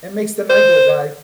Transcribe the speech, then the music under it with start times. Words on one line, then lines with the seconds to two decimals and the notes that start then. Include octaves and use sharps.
It makes the night go by.
0.50 C5